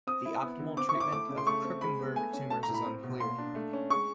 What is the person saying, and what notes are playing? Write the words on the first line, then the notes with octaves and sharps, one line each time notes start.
The optimal treatment of Krukenberg tumors is unclear.
C4 D#6
E4
B3
D3
C4 D6
C#6
E4
D6
A3 D6
C#3
C6
A3 C#6
C4
G#3 B5
B3
A3 G#5
C#4
A3 A5
A#5
A2
B5
C4
B2
A#3 C6
D4
A3
C#4
G#3 C#6